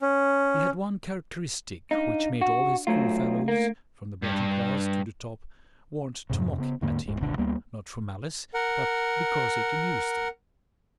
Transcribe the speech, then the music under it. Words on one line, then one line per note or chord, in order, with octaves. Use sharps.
He had one characteristic which made all his schoolfellows from the bottom class to the top want to mock at him, not from malice but because it amused them.
C#4
D4 D#4 F5
F#4
B1 F#3 A3 F4 A#5
A#3
G2
F2 G#2 C3
C#3 B3
D#2 G#2 D3 A#3
D1 G#2
F#1 C#2 B2 D3
D2 G3 A#3 B3
A#4 F#5